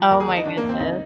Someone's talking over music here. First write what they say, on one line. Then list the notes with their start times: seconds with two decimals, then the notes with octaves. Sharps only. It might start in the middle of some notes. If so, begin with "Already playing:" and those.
Oh my goodness.
Already playing: F3
0.11 D#2 A#4
0.20 G#4
0.28 D#3
0.36 D#4
0.45 D#3 D4
0.57 A#3
0.63 D#2
0.69 C4
0.79 D2 D#4